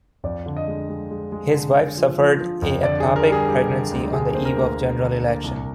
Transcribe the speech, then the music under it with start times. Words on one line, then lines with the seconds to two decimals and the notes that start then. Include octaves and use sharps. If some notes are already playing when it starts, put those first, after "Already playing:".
His wife suffered a ectopic pregnancy on the eve of the General Election.
0.24 F2 D5
0.46 D3
0.57 D#5
0.67 G#3
0.89 G#3
1.11 G#3
1.32 G#3
1.54 D3
1.75 D3
1.97 F3
2.19 F3
2.40 F3
2.62 F2
2.83 D3 D5
3.00 G#4
3.05 D3
3.16 A#4
3.27 G3
3.32 G#4
3.48 G3 G4
3.70 D3
3.91 D2
4.13 D3 G#4
4.34 A#3 C5
4.45 A#4
4.57 D2
4.78 D2
5.00 D3
5.22 A#3
5.43 C2